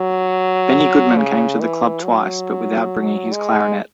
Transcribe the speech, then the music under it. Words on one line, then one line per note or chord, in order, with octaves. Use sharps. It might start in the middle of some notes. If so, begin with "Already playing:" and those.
Benny Goodman came to the club twice, but without bringing his clarinet.
Already playing: F#3
C#3
E3
F#3
G#3